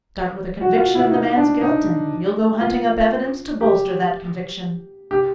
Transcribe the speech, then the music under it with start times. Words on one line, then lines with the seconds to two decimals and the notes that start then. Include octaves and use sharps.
Start with a conviction of the man's guilt, and you'll go hunting up evidence to bolster that conviction.
0.61 F#4
0.78 F4
0.95 E4
1.11 D#4
1.36 D4
1.61 D#4
2.61 F4
3.61 G4
5.11 G4